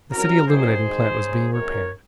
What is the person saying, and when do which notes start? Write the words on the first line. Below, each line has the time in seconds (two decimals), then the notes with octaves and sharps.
The city illuminating plant was being repaired.
0.12 C2 C3 F#3 C#4 F#4 A#4
0.47 F#1 F#2 D#3 F#3 C#4 G#4 C5
0.84 G#1 G#2 D#3 G#3
1.18 D#2 C#3 G#3
1.54 G#1 F#2 D#3 A#4 C#5